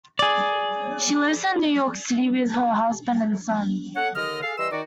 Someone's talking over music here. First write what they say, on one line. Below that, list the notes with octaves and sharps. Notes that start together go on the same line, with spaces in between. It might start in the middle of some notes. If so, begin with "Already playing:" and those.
She lives in New York City with her husband and son.
G#4 D5
A4 C#5 F#5
D#2 D3 D#5 F6
G#4 A4 F5
E3 G3 B4 D#5 C6 E6
D#3 D#4 F#4 D5